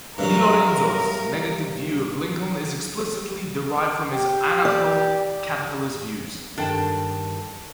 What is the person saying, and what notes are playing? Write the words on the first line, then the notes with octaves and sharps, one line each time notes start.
DiLorenzo's negative view of Lincoln is explicitly derived from his Anarcho-capitalist views.
G2 C3 F#3 A#4
G4
D5
G2 D#3 D4 A4 G5 A5